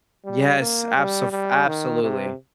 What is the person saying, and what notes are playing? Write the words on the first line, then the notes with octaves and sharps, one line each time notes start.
Yes, abso f absolutely.
G3
A#3
G3
G3
D#3
C3